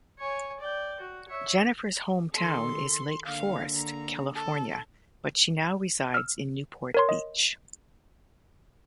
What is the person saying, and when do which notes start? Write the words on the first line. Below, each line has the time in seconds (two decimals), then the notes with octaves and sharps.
Jennifer's hometown is Lake Forest, California but she now resides in Newport Beach.
0.19 C#5 G#5
0.60 D5 G5
1.00 F#4
1.29 C#5 E5
2.34 D#3 A4 C6
3.26 D3 A#3 F5
3.75 A#5
4.35 A4
6.14 E6 F6
6.94 A#4 C#5 C6
7.09 D#5